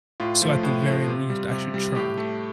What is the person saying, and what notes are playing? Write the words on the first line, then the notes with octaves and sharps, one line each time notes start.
So, at the very least, I should try.
A2 F4
F3 A3
A2
F3 A3
C3
G3
C3
G3
A2 G4
A3